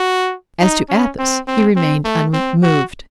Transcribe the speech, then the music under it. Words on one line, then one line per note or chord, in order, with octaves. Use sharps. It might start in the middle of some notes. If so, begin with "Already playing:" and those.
As to Athos, he remained unmoved.
Already playing: F#4
D#4
C#4
C4
C4
C4
A3
C4
F#4